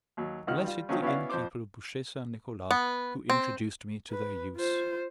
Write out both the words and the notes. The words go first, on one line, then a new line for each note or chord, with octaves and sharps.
Blessed the innkeeper of Bouchet St. Nicholas, who introduced me to their use!
D#2 F#3
C#2 D#3 C#4 F4 F#5 F6
G3 F4
D#3 F3 F#3 A#3 C#4
B3 C#4 E4 F#4 D5 F5
F2 C5 D6
B3
C4
B4
F4 C5